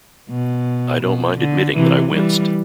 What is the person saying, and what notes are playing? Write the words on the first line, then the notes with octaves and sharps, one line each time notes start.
I don't mind admitting that I winced.
B2
B2
D3
C3 E3
E3 G3